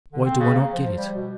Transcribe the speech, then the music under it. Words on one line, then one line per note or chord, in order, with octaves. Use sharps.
"Why do I not get it?"
D3
C4
C#3
A#3
F3
G3
B2